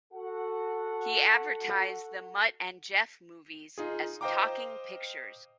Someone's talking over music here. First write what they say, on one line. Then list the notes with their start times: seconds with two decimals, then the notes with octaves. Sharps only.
He advertised the "Mutt and Jeff" movies as "talking pictures".
0.13 F#4 A4 F#5
3.78 D#4 F4 G#4
4.21 C5 D#5 F5 G5 A#5 D6